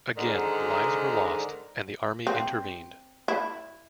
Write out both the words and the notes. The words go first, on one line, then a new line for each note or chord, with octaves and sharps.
Again, lives were lost, and the army intervened.
G#2 D3 D#3
C4
E4